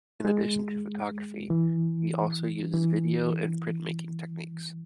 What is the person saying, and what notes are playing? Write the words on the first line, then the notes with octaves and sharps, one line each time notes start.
In addition to photography, he also uses video, and printmaking techniques.
G#3
E3
E3